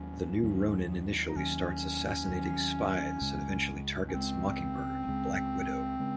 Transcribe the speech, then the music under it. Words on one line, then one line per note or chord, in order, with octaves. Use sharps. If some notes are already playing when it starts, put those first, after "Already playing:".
The new Ronin initially starts assassinating spies and eventually targets Mockingbird and Black Widow.
Already playing: D#2 D#3 F#3 C#4
D#2 D#3 F#3
D#4
D#2 D#3 F#3 C#4
D#2 D#3 F#3
C#2 C#3 G#3
C#4
C#2 C#3 G#3 C4
C#2 C#3 G#3
C#3 G#3